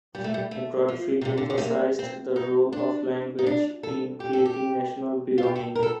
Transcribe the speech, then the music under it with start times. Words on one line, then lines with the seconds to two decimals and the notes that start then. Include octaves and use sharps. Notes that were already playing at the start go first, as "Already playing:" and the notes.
Grundtvig emphasized the role of language in creating national belonging.
0.15 G3
0.24 A3
0.34 G3
0.51 A3
0.89 F3
1.21 C3
1.25 D3
1.38 D3
1.50 D3
1.58 A3
1.62 A#3
1.99 C4
2.36 D#4
2.72 D4
3.39 D#4
3.47 D4
3.83 A4
4.20 G4
4.33 A4
4.45 G4
5.38 F4
5.43 G4
5.56 A4
5.75 A#4
5.83 A4